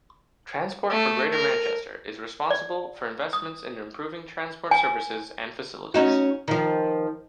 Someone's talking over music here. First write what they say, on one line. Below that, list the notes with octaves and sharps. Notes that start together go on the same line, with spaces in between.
Transport for Greater Manchester is responsible for investments in improving transport services and facilities.
A3
A#4
D5
D#6
G#5
C#4 D#4 F#4
D#3 F3